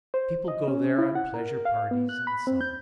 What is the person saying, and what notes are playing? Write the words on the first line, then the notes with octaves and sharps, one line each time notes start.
People go there on pleasure parties in summer.
C5
D#5
C#4
E4
F#5
A#4
F5
B3
F#6
B5
C4
G6